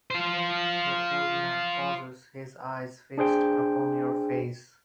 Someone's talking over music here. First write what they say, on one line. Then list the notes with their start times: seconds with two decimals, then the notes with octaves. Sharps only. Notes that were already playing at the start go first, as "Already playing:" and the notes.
The old man pauses, his eyes fixed upon your face.
0.10 F4 C5
3.18 D4 G#4 C5 G5